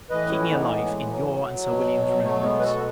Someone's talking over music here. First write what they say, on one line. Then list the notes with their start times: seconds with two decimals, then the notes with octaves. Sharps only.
Keep me alive, in your and Sir William's remembrance.
0.10 A2 E3 B4 D#5
0.29 C#4 E4
0.50 B3 D#4
0.64 C#4
0.68 G#3 B3
0.88 G#3
1.07 F#3
1.66 B2
2.05 F#3
2.24 F#3 A3
2.43 G#3 B3
2.59 B4
2.63 F#4 A4